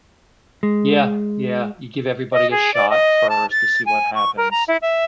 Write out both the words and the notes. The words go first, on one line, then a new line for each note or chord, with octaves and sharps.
Yeah, yeah, you give everybody a shot first to see what happens,
G#3
D#5
G#4
D5
D#5
A5
A6
G#5
C#6
A#4
A#5
E4
E5